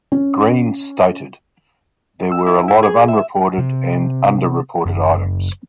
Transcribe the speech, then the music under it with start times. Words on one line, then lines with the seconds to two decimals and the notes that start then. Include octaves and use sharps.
Greene stated, There were a lot of unreported and underreported items.
0.12 C#4
2.32 E6
2.47 E4
2.68 E4
2.83 G#4
3.08 E5
3.58 C3
4.86 F#1